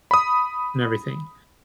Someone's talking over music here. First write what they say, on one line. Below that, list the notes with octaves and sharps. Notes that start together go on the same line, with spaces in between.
and everything.
B5 D#6